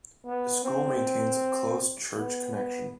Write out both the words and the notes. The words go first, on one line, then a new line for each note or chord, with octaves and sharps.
The school maintains a close church connection.
B3
C4
B3
B3